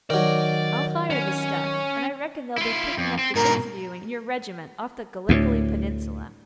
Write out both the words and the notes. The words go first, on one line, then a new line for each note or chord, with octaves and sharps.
I'll fire this stuff, and I reckon they'll be picking up the bits of you and your regiment off the Gallipoli Peninsula.'
D#3 F#3 D5
C#4
E4 F4
F2
C4
G#2 B2 A#4
D2 A2